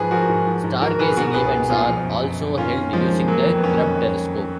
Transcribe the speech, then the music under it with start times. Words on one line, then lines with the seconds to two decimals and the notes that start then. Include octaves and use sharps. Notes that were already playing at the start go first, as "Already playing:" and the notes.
Stargazing events are also held using the Grubb telescope.
Already playing: G#2 F3 G#4 B4
0.11 F3 F#4 A#4
0.29 G#2
0.47 F3
0.64 G#2
0.81 G#2 F#4 A#4
0.99 G#2 G#4 B4
1.17 B2 F#4 A#4
1.34 C#2 G#4 B4
1.52 B2
1.70 B2 F4 G#4
1.87 F3
2.05 F#2
2.23 F#2
2.40 F#2
2.58 D#3 C#4 F4
2.75 D#3
2.93 D#3 F3 G#3
3.11 D#3
3.28 D#3 F#3 A#3
3.45 F2
3.58 B3
3.63 D#3 A#3 C#4
3.81 F2